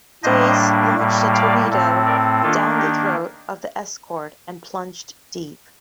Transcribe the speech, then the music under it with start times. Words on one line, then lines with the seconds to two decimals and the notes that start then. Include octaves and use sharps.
"Dace" launched a torpedo "down the throat" of the escort, and plunged deep.
0.23 A2 G3 A#3 D4 C5 D#5
0.97 A2 G3 A#3
1.32 D5 F5
1.69 A2 A3 C4
2.05 A#4 D5
2.42 D#3 A#3 D4 F4 A4
2.78 D#4 G4